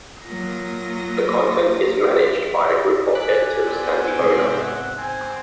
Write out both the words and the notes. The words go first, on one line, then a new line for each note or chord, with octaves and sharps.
The content is managed by a group of editors and the owner.
F#3 A#3 F4 D#6 A#6
G#5 D6 F#6 B6
B3 C4 D5
G#2 C3 E5
F#5
C4 G#5